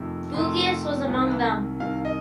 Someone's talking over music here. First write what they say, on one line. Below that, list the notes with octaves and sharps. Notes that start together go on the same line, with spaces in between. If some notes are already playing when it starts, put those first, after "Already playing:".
Buguias was among them.
Already playing: F2 C3 D#3 A3
F2 C3 D#3 A3 C6
C2 C3 D#3
C2 C3 D#3 F5
D#5